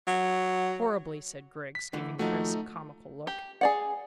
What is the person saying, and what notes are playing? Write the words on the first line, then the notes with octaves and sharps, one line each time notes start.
"Horribly," said Griggs, giving Chris a comical look.
F#3
B6
D3 E3 A3
D#2 F3 A3 D#4 F#4
G4
G#4 D5 F#5